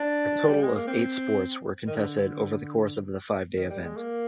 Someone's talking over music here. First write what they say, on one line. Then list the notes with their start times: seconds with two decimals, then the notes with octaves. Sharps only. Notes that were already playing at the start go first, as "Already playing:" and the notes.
A total of eight sports were contested over the course of the five-day event.
Already playing: D4
0.49 G3
0.63 G#3
0.75 A#3
0.87 C4
1.87 D#3
1.95 D3
3.57 D#3
3.70 G3
3.84 G#3
3.96 A#3